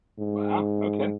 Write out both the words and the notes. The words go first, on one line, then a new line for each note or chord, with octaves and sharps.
Wow, okay.
G#2